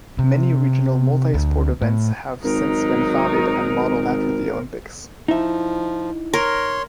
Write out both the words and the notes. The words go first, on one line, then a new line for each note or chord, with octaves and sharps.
Many regional multi-sport events have since been founded and modeled after the Olympics.
C3
D2
A2
G#1 F#3 D#4 A#4
F3 D#4 E4 E5
A#4 C#5 C6